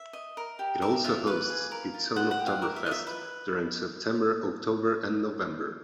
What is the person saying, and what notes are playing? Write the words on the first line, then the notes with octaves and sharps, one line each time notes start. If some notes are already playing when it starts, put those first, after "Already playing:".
It also hosts its own Oktoberfest during September, October and November.
Already playing: E5
D#5
A#4
G4
A#4 E5
F4 E5
B4 F5
G#4
A#4
F4
C5 F#5
F#5
G4
F5
A#4 E5
E5
F4 D#5
E5
B4 E5